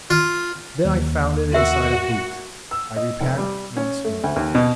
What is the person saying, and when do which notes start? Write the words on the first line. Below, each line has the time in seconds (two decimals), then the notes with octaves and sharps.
Then I found it inside a boot. I repacked once more.
0.10 F4
0.85 D#2
1.54 F#4 A#4 E5
2.71 E6
2.96 D#5
3.21 F1
3.38 G3
3.77 C#4
4.05 A3
4.24 D2
4.36 D#2
4.55 B2